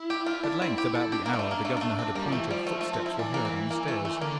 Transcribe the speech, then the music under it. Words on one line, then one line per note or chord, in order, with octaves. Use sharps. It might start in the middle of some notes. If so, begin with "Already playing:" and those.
At length, about the hour the governor had appointed, footsteps were heard on the stairs.
Already playing: E4
G4
F4
D4
C4
G4
A4
D4 G4
A#3
G3
A3
A#3
A3
A#3
A3
C4
G3 A#3
F3
E3 A3
F3
G3
A3
A3
C4
E4
E3 D4
A#3
C4
A#3
A3
A3
D3 A#3